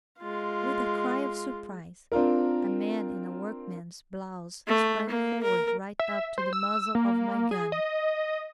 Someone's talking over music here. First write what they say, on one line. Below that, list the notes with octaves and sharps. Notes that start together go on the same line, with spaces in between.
With a cry of surprise, a man in a workman's blouse sprang forward right up to the muzzle of my gun.
G#3 F4
C4 D4 F4 A#4
A3
A#3
A#4
E5
C5
E6
A#3
G#4
D#5